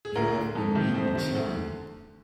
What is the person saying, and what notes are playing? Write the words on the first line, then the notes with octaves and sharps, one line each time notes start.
You have been mean and shabby.
G#4
D2 A#4
D3
F2
C3 D#3
F2 C5
C3 D#3
D2
D3